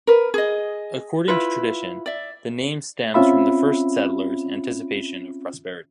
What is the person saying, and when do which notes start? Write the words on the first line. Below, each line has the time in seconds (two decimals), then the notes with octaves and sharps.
According to tradition, the name stems from the first settlers' anticipation of prosperity.
0.07 A#4 B4
0.34 G#4 D#5
1.28 E4 F4 B4
2.06 D5 E5
3.14 C4 C#4 F4 E5 B5